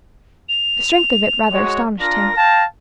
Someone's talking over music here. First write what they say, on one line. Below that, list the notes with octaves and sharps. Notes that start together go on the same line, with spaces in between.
The strength of it rather astonished him.
F7
G#3 F#4 C#5
D4 F4 A#4 A#6
F5 G5 A5